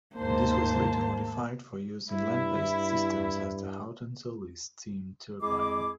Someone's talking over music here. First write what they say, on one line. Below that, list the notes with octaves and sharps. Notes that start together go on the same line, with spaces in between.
This was later modified for use in land-based systems as the Howden-Zoelly steam turbine.
D#2 G#2 A#3 C5 A5
G2 E4
F2 G#3 E4 G#4 D6